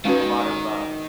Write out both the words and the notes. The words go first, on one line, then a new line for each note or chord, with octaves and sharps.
a lot of uh,
D#3 G#3 C#4 F#4 B4